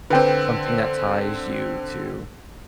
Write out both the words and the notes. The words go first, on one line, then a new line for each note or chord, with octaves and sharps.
something that ties you to
D3 C4 B4 G5